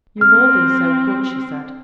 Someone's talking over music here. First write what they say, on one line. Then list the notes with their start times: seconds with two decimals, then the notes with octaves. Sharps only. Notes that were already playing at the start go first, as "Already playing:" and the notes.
"You've all been so good!" she said.
0.21 C4 F6